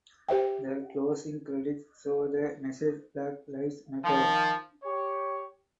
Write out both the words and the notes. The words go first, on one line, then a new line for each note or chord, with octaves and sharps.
The closing credits show the message Black Lives Matter.
G4 C5 E5 G5
D#3 F3
G4 C#5